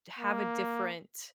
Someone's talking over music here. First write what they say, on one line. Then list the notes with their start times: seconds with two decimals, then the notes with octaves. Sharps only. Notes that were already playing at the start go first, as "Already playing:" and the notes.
have a different
0.19 A#3